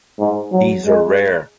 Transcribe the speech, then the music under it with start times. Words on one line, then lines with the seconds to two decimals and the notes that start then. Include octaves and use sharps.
These are rare.
0.19 G#2
0.52 F#3
0.86 G#3